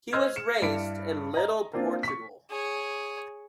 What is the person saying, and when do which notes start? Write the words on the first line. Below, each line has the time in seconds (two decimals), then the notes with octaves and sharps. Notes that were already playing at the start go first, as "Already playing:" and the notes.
He was raised in Little Portugal.
0.13 C5 D#5 C6 E6 F6 G#6
0.36 C#7 E7
0.62 G2 E4 D5 B6 C#7 D7
1.34 D#5 A#5
1.73 A#3 C4 D4 F4
2.03 C#6 B6
2.50 G#4 C#5